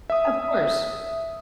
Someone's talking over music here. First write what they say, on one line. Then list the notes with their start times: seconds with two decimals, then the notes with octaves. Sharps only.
Of course.
0.10 E5 D#6